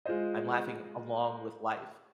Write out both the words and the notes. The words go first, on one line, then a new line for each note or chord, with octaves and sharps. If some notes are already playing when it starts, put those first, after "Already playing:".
I'm laughing along with life.
G#3 F4 G#4 C5 D#5